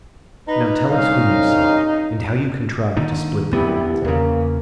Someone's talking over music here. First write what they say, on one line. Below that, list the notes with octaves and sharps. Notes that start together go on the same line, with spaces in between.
"Now tell us whom you saw; and how you contrived to split the Norman's arrow."
D#4 B4
C2 C#4 D#4 F5
A#2 D3 D#3
D2 A#2 B3 E4 G4
E2 C#3 A#3